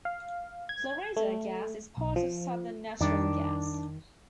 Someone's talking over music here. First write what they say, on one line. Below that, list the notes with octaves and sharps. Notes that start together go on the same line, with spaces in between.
Florida Gas is part of Southern Natural Gas.
F5
G#6
A3
B1
F3
F2 D#3 G3 D4